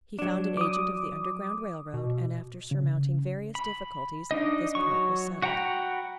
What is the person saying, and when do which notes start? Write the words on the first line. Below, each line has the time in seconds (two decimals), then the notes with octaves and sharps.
He found an agent of the Underground Rail Road, and after surmounting various difficulties, this point was settled.
0.19 F#3 D4
0.57 D6 D#6
1.94 B2
2.71 C#3
3.55 B5
4.31 D4 D#4 D#5
4.75 F#3 C#6
5.42 F#4 F#5 G5 A#5 B5